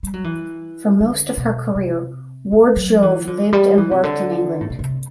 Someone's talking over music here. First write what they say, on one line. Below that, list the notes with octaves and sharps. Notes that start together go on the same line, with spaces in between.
For most of her career Ward Jouve lived and worked in England.
G3
F#3
E3
D3
B2
C3
A3
F#3
E3
D3
G3
E3
C3
D3
A2
B2
C3